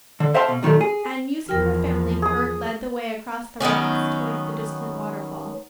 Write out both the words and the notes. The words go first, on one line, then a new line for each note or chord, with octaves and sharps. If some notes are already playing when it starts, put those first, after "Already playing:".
And musing profoundly, Kurt led the way across the rocks towards the distant waterfall.
D3
C5 E5 F5 G5 A5 C6
B2
A#2 D#3 F#3 A3
G#4
E2 F3 A#4 G5 F6
G#4 D#6
D#3 F#3 B3 C#4